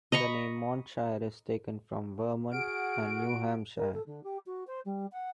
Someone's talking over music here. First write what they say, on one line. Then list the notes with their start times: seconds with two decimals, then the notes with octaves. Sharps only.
The name Montshire is taken from "Vermont" and "New Hampshire".
0.12 D#5 A#5 B5 C#6
2.51 F#4 G#4 F#5 F6 D7
3.76 A#4
3.93 A4
4.06 D3
4.23 G4
4.46 F#4
4.67 C5
4.85 G3
5.11 F#5